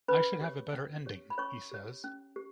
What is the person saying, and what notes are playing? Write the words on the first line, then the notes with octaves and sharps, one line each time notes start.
'I should have a better ending,' he says.
C#4 B4 B5
G4 C#5
C#4
G4 C#5
B5
C#4 C#5 C#6
G4 C#5
C#4
G4